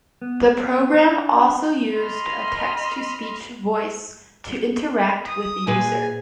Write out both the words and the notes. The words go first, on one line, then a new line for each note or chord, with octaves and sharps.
The program also used a text to speech voice to interact with the user.
B3
D4
D#5 B5 C6 F6
D#6
A#2 G#4 B4 G#5